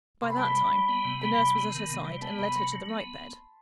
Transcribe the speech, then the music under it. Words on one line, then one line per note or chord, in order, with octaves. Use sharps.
By that time, the nurse was at her side, and led her to the right bed.
C3 C6
B5
G3 A5
B5
G3
G3
B3
C3
G3 B5
C3
B3
D#3
C3
G3
B3 A5
C3 B5
F#3 C6
F#3
B3